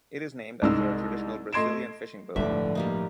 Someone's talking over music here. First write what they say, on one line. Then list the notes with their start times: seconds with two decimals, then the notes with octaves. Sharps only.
It is named after a traditional Brazilian fishing boat.
0.62 C2 G#3 D#4 E6
1.53 A3 D#5 C6 G#6 D7 E7
2.36 G1 A2 D3 F3 G#3 E5 D6
2.75 G3 A#3 D#4